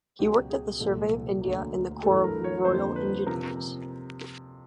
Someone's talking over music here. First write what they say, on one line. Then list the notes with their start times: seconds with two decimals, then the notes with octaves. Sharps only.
He worked at the Survey of India and the Corps of Royal Engineers.
0.19 C#2 B2 F#3 G4
0.50 G#4
0.80 C2 A#2 F3 G#3 A4
1.41 D2 D3 F#3 A#3
2.03 G2 E3 A3 A4
2.24 A#4
2.44 C#5
2.65 F2 D3 F3 A#3 C5
2.96 B4
3.27 C3 F3 A#4